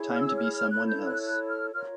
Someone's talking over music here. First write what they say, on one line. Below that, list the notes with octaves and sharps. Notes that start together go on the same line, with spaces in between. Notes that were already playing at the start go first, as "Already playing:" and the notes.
Time to be someone else.
Already playing: E4 G#4 C#5
F6
E6
F6
F6
E4 A4 C#5 F#6
G6
F#6
F#6
F6
F4 A#4 C#5 F6